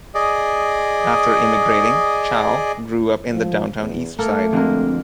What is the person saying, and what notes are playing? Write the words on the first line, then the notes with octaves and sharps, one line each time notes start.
After immigrating, Chow grew up in the Downtown Eastside.
G#4 D5 D#5
F3
E2
A3 A#3 A4 A#4
F2 D3 G#3 A#4